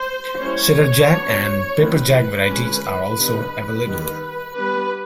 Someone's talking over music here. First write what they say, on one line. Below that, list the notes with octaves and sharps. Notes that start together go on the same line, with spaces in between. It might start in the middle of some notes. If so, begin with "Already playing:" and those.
Cheddar-Jack and Pepper Jack varieties are also available.
Already playing: C5
G3 A#3 C#4 E4 C#5
F#3 B3 D4
D#3 F#3 A3 C4 E4 B4
D3 F3 G#3 C#4
D3 G3 B3 D#4
D#3 G3 B3 D#4
G3 B3 D4 B4